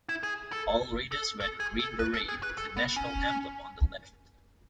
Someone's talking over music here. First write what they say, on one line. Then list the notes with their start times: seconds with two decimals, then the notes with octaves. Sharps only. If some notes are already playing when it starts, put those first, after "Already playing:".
All Raiders wear the green beret with the national emblem on the left.
0.09 E4
0.23 G#4
0.53 A4
1.12 A4
1.40 A4
1.60 G#4
1.80 A4
1.99 B4
2.14 A4
2.29 G#4
2.43 B4
2.58 A4
2.77 B3
2.96 C#4